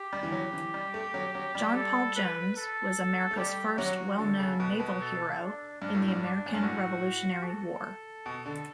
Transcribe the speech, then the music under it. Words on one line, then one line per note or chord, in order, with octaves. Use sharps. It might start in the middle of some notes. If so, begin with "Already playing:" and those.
John Paul Jones was America's first well-known naval hero in the American Revolutionary War.
Already playing: G4
G3
E3
F#3
E3
G3
A3
F#3
F#3
G3
A4
B4
A4
A3
G3 G4
F#3 F#4
D3 A4
C#3
B2 B4
B2
A4
D4
G2 D4
A2
G2
D4
F#2
G2
A2 F#4
A4
B2
D3